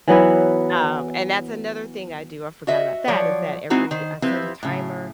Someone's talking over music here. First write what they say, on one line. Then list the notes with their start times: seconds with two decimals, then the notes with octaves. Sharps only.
um, and that's another thing I do, I forgot about that, is that every I set a timer
0.08 E3 F#3 B3 E4
2.67 F#4 D#5 E5
3.08 F3 F#3 C#5 D5
3.70 G#3 C4 D#4 E4 F#4
3.91 D#3 C5
4.22 F3 C4 E4 G4 B4
4.63 A2 C#3